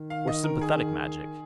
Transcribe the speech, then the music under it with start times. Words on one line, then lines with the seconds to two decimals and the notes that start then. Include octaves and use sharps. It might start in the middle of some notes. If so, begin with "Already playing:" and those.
"Or sympathetic magic?"
Already playing: D#3
0.10 F5
0.28 D#5
0.44 A#4
0.61 G#4